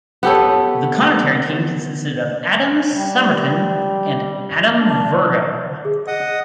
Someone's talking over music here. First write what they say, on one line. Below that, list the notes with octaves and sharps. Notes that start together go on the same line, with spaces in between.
The commentary team consisted of Adam Summerton and Adam Virgo.
B3 G4 A4 C#5
G3
D4
G#4
D#5 F#5 D#6